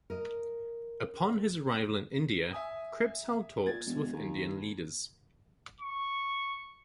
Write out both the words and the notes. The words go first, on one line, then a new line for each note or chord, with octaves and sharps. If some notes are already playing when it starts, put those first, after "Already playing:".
Upon his arrival in India, Cripps held talks with Indian leaders.
A#4 D#5
E5 G#5 D#6
A#2 G#6 A6
E1
D#2
C#6